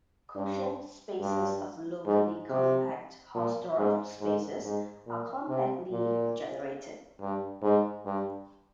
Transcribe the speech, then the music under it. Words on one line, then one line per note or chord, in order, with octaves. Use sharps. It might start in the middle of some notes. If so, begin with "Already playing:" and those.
Quotient spaces of locally compact Hausdorff spaces are compactly generated.
G2
G2
G#2
C3
A#2
G#2
G#2
G#2
A#2
C3
A#2
G2
G#2
G2